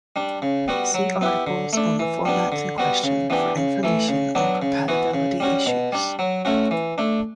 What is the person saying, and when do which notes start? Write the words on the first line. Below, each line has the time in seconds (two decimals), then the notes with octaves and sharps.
See articles on the formats in question for information on compatibility issues.
0.16 G3 D4
0.42 C#3
0.68 G3 B3 F#4
0.94 F#3
1.21 B3 E4 G4
1.47 D3
1.73 A3 D4
1.99 E3
2.25 G3 B3 D4
2.52 D3
2.78 G3 B3 F#4
3.04 C#3
3.30 E3 B3 D4 G4
3.57 C#3
3.83 E3 A3
4.09 C#3
4.35 F#3 B3 D4
4.62 C#3
4.88 E3 B3 F#4
5.14 C#3
5.40 G3 C#4 F#4
5.66 B2
5.92 G3 D4
6.19 F#3
6.45 A3 C#4 F#4
6.71 E3
6.98 A3 D4